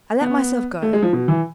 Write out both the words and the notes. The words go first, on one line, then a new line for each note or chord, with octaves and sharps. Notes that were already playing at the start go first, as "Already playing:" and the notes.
I let myself go.
B3
A3
G#3
F3
B2
E3